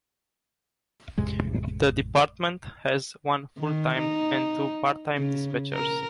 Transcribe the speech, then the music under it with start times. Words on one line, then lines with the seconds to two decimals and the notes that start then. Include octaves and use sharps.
The department has one full-time and two part-time dispatchers.
1.18 A1 F2 C3 G#3
3.59 D#3
3.98 D#4
5.18 C#3
5.74 A#4